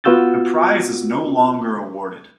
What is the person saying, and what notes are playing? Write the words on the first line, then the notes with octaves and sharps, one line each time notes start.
The prize is no longer awarded.
B3 F4 F#4 E6 G6 A6